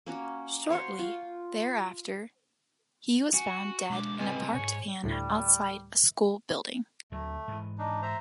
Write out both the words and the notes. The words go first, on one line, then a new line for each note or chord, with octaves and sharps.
Shortly thereafter, he was found dead in a parked van outside a school building.
A#3 C#4 F#4
F#4 C5 C#5 F5
F4
F#4 G#5
G#3 D4 D6
C#2 C3 B4 D#5 G#5
C2 G#2 C#5
D2 A2 G3
D2 D3 F#3 A3
G#2 E3
D4 D#4
C5 E5 A#5